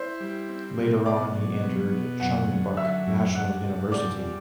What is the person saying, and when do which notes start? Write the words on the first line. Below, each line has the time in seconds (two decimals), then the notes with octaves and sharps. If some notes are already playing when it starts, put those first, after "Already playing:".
Later on, he entered Chungbuk National University.
Already playing: E4 C5 C6
0.20 G3
0.49 C4
0.78 B2
1.06 B2 D5 D6
1.35 F#3
1.63 B3
1.92 B2
2.20 F#2 F#5 F#6
2.49 D3
2.77 F#3 E5 E6
3.06 F#2
3.35 D4 F#5 F#6
3.64 C3
3.92 G3 D5 D6